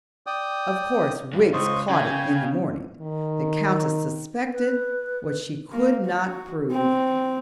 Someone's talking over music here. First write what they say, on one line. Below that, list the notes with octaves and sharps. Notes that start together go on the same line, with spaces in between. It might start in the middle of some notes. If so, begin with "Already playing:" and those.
Of course Wiggs caught it in the morning; the Countess suspected what she could not prove.
D5 G5 D#6
G2
C#2 C5 D#5 C#6
C#3 G5 G#5
D#3
B4
A#3
F#4
C4